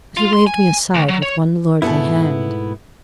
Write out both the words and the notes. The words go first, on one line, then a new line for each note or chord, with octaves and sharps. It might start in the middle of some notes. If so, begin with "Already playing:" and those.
But he waved me aside, with one lordly hand.
F4
C6
G#5
D2
F#3
C#5
G#2 B2 A3 B3 E4